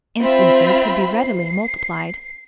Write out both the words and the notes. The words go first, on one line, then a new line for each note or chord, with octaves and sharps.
Instances could be readily multiplied.
C4 F4 E5 B5
C7